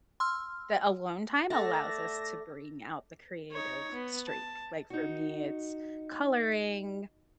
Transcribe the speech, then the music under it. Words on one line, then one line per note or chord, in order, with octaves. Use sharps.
that alone time allows us to bring out the creative streak. Like, for me, it's coloring,
C6 E6 F6
A3 A4 D5 E5 F#5 A#6
D#4 C#5
B3
A5
D#4 F#4